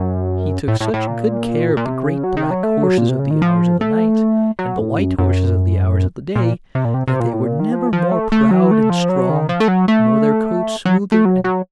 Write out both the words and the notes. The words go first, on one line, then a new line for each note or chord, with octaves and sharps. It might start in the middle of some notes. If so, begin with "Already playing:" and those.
He took such good care of the great black horses of the Hours of the Night, and the white horses of the Hours of the Day, that they were never more proud and strong, nor their coats smoother and more gleaming.
Already playing: F#2
A2
A2
A2
A#2
A#2
C3
C#3
F#3
D#3
F#3
A3
F#3
A#2
C3
C#3
D#3
F3
A3
F#3
A2
F#2
F#2
A#2
C3
A#2
C3
C3
A#2
A2
A#2
D#3
F3
F3
A3
A3
F#3
A3
F3
F#3
D#3
F3
A3
F#3
A3
F#3
A3
F#3
F#3